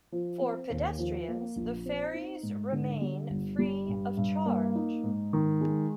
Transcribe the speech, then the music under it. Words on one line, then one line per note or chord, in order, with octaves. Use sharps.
For pedestrians, the ferries remain free of charge.
F3
C4
D#2
F3
A#3
A#1
C4
D#4
G#2
D3
G3
G1
G3
G2
G2
A#3
D#4
G#2
D#3
G#3